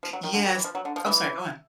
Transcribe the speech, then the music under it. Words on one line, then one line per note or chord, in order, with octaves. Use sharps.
Yes Oh, sorry. Go on.
F3
F#3
D#3
D3
D#3
E3
F3
F#3
D3
F3
E3